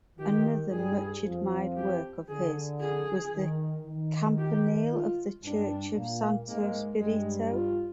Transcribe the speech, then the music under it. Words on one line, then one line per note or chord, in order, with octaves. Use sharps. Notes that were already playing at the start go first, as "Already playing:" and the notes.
Another much-admired work of his was the campanile of the church of Santo Spirito.
D#3 G4
G2 G3 G#4
F2 F3
G4
D3 G#4
G#4
D#3
D#3
G4
F4
G2 G3 D4
A#2 A#3
G#2 G#3 A#3
G2 G3 G#3
F4